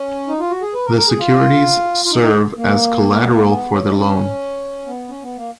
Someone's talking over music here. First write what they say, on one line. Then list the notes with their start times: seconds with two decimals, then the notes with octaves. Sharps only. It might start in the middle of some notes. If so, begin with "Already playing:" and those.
The securities serve as collateral for the loan.
Already playing: C#4
0.28 D#4
0.40 F4
0.50 F#4
0.62 G#4
0.74 B4
0.86 A#4
0.96 A#4
1.08 G#4
1.19 F4
2.05 F4
2.12 D#4
2.23 D#4
2.57 A#3
3.49 B3
3.72 C#4
3.90 D#4
3.95 C#4
4.87 B3
5.09 C#4
5.23 B3
5.37 A#3